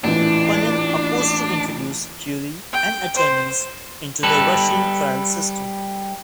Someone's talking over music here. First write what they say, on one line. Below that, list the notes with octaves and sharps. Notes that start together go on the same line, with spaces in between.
Panin opposed to introduce jury and attorneys into the Russian trial system.
A1 A#2 E3 D4
G5
C5
G3 A4 B4